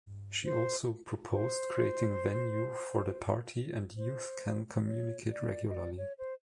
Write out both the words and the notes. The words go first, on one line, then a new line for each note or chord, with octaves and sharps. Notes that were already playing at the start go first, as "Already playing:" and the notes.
She also proposed creating "venue" for the party and youth can communicate regularly.
C5
C5
C5
C#5
D5
D#5
D5
C#5
C5